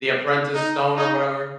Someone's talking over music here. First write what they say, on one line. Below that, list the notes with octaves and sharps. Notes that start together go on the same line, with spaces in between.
The Apprentice Stone or whatever?
D#4
D#4